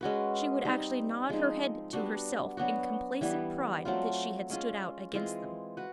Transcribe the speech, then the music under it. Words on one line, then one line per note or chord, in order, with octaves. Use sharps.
She would actually nod her head to herself in complacent pride that she had stood out against them.
G#3 C#4 F#4 B4
G3 C4 D#4
F3 G#3 C4 D#4
G3 B3 D4 F#4
F#3 B3 D4 F#4
E3 G3 B3
F#3 A3 C4 F4
G#3 C#4 F4
E3 G#3 C4 F4
F#4 B4